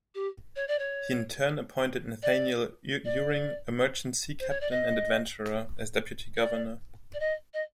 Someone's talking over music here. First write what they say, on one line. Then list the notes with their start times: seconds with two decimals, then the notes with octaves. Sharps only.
He in turn appointed Nathaniel Uring, a merchant sea captain and adventurer, as deputy-governor.
0.15 G4
0.56 C#5
0.68 D5
0.79 C#5
2.22 D5
3.05 D5
4.40 C5
4.50 C#5
4.61 D5
4.70 D#5
6.37 D5
7.14 D5
7.20 D#5
7.53 D#5